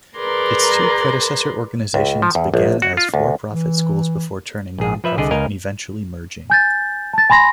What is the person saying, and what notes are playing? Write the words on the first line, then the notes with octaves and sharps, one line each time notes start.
Its two predecessor organizations began as for-profit schools before turning non-profit and eventually merging.
G#4 A#4 B4 D5 A#5 C6
C#2
F3
E2
A#1
F#4
F4
D2
E3
A#1 G#4
F3 B4 E5
C2 D3 G#4 D5 D#5
C#2 A#4 D#5 F5 G#5
G#5 G6 A6
A5 A6
G#5 B5 C6 A#6